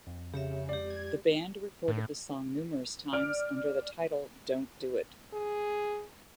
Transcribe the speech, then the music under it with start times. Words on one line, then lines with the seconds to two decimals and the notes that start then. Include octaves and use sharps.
The Band recorded the song numerous times under the title "Don't Do It".
0.07 F2
0.34 C#3 G4 C#5 E5
0.69 G#3 G4 D5
0.90 G#6
1.88 A2
3.13 D5 F6 D7
5.34 G#4